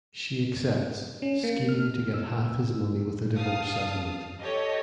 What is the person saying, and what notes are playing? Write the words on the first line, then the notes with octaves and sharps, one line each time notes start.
She accepts, scheming to get half his money with a divorce settlement.
C#4
A#3
F6
E6
F5 A5 D#6
G4 A4 C#5 D#5